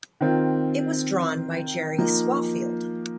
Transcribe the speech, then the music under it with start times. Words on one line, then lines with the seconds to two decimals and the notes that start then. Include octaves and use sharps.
It was drawn by Jerry Swaffield.
0.21 D#3 C4 F4
1.98 F3 A#3 D#4